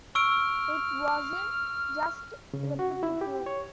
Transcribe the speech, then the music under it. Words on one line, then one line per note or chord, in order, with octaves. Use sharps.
It wasn't just repetitive.
C#6 E6 F6 D7
C#3
F#4
E4
G4
C#5